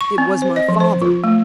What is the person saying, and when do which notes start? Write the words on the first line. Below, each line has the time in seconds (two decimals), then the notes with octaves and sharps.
It was my father.
0.01 C#6
0.18 C4
0.42 C5
0.56 D#5
0.69 F3
0.80 C5
1.02 F4
1.24 A3